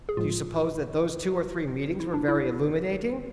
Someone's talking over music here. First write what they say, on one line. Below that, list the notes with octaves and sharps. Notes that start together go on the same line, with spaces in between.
Do you suppose that those two or three meetings were very illuminating?
G#4
A2 F3 G#3 F4
E4
D4
E4